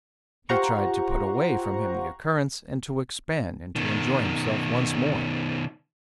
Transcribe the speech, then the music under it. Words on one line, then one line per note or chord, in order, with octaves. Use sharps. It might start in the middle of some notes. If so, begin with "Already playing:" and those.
He tried to put away from him the occurrence, and to expand, and to enjoy himself once more.
F4 G4 C5 F#5 A#5 C#6
B2 D#3